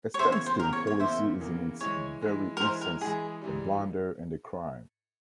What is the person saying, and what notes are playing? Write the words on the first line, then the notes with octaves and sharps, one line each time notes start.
A standstill policy is in its very essence a blunder and a crime.
C#5
E2 C#3 E3 A#3 C5 E5
C#5
C5
E2 C#3 E3 A#3 A#4
C#5
C#5
E2 C#3 E3 A#3 C5 E5
E2 C#3 E3 A#3
E3 G#3 E4 C#5
E3 G#3 E4
A#4
E3 G#3 E4 C5
A#4
E3 G#3 E4 G#4
G#2 E3 G3